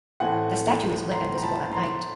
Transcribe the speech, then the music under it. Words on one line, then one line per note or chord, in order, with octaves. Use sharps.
The statue is lit and visible at night.
A2 E3 A3 C4 F#5 G#5
A#5 C6
A#5
A5 B5
A#5 C6